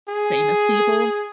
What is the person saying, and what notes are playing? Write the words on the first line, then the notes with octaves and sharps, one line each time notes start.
famous people,
G#4